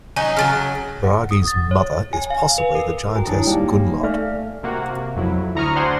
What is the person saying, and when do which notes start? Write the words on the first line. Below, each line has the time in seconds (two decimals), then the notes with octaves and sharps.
Bragi's mother is possibly the giantess Gunnlod.
0.16 F#3 C#4 D#4 G#5
0.37 C#3 F3 F#3 F6 A6
1.04 F#5
1.31 D#6
1.47 A6
1.71 C#5
2.13 G#5
2.30 F5
2.58 B4
2.75 A#4
3.15 E4 F#4 G5 G#5 A#5 C#6
3.27 D#2 D4 E4 C#5 D#6
3.47 G3 A#3 D#4 G5 G#5
4.03 A3 D5 E5 F5 F6
4.63 C3 A#3 F#4
5.16 F2 F#3 E4
5.55 D2 E4 A#5 C#6 D#6 F6
5.75 D4 C5 D5 F#5 G#5 C6